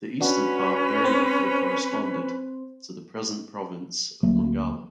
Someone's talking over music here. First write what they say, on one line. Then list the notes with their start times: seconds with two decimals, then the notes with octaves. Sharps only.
The eastern part very roughly corresponded to the present province of Mongala.
0.21 C#4 D4 F#4 B4
1.04 C4 C5
4.23 D2 F#3 A3 A#3